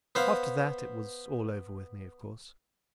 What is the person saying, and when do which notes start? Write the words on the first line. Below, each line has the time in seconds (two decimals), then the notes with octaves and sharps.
After that it was all over with me, of course.
0.15 B3 C5 F5